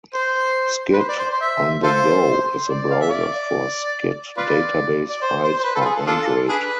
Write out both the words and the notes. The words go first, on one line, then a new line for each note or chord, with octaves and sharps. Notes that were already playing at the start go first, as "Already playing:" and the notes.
Scid on the go is a browser for Scid database files for Android.
C5
B4
C5
D5
C5
C5
E5
F4 A4 C5
D5
F5
E5
D5
F4 B4 D5
D5
C5
C5
C5
B4
A4
F4
G#4
A4
D4 F4 A4
D4 G#4 B4